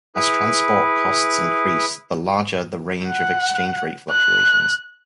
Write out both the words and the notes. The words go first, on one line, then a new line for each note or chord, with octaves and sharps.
As transport costs increase, the larger the range of exchange rate fluctuations.
E4 G#4 B4
F#5
F#6